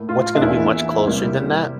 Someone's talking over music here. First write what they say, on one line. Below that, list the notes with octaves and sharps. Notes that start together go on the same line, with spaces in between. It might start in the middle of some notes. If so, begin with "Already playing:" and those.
what's gonna be much closer than that
Already playing: A2 A#3
F4
D4
E2 E3 A#3 E4
C3 G3 A#3 E4